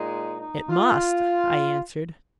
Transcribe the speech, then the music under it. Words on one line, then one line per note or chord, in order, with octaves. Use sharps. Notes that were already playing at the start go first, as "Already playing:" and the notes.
"It must," I answered.
Already playing: A#2 G#3 D#4
D#4
F4